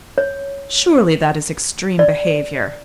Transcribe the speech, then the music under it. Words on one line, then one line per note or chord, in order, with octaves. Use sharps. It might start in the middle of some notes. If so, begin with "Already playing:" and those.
Surely that is extreme behaviour.'
C#5
D5